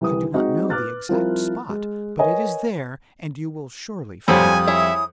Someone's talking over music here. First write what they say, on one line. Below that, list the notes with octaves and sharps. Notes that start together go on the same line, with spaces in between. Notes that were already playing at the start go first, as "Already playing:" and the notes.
I do not know the exact spot, but it is there, and you will surely find it.
C2 E3 G3 D#6
G#3 C4 D#4 F#4
B4 D6 F6 F#6 A6
F3 G3 C4 E4 F4 A#4
G#3
A#4 B4 C#5 D#5 G#5
F2 F#3 G3 C4 A4 G#5 B5 D#6
E4 G#4 C#5 E5